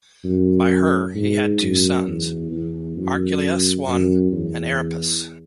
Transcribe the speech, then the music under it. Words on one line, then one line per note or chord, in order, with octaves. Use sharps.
By her, he had two sons, Archelaus I and Aeropus.
F#2
G#2
F#2
E2
E2
F#2
F#2
E2